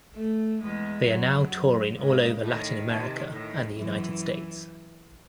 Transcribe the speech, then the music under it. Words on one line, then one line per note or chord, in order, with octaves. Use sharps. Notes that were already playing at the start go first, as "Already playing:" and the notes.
They are now touring all over Latin America and the United States.
A3
E2 G#3
F#2 F#3
F#2
G#2 C#3
A2 D#3
C3
A2 D#3
F#2 E3